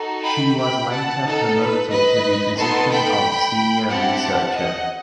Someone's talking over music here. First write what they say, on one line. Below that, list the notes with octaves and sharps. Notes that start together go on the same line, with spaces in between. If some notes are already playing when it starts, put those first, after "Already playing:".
She was later promoted to the position of Senior Researcher.
Already playing: D#4 F#4 A4
G5 B5
G5 B5
F#5 A5
D#4 A4
B4
B4 D#5
B3 D#4 A4 A5 C6
G5 B5
C4 E4 G4 F#5 A5
D#5 F#5